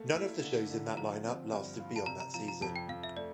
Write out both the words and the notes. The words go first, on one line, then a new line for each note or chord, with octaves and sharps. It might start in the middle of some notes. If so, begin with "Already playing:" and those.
None of the shows in the lineup lasted beyond that season.
Already playing: A3 A#3
E4
D3
D3
F3 A#5
C4
G2
F4
A5
C3 A#5
A#5
F3 A#5
A#5
F2 A5
G5
F2 F5
E5
A3 D5